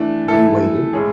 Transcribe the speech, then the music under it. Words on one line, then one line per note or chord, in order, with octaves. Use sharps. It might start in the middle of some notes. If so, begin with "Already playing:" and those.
You waited.
Already playing: E3 A3 D4
E3 A3 E4 A4
A2 G#3 C#4 G#4